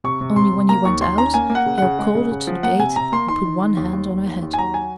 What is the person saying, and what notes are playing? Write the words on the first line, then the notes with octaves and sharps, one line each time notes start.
Only when he went out, Hale called her to the gate and put one hand on her head.
C3 C#6
C3
C3 C6
C3
A#3 A#5
D#2 C#6
D#2 C6
C#4 A#5
A#3 G#5
A#3
F#5
C#3
C#3 F#5
G#3
C#3
C#3
F3
A#3 F#5
C3 G#5
C3 A#5
A#3 C6
D#3 C6
D#3
D#3
D#2
D#2
D#2
D#2
D#2
G#5
F#3 A#5
G#5